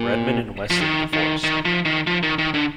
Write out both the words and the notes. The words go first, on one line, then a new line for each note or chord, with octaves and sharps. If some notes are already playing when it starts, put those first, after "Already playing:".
Redmond and Weston divorced.
Already playing: A#2
F3
D#3
D#3
D#3
F3
D#3
F3
D#3
D#3
D3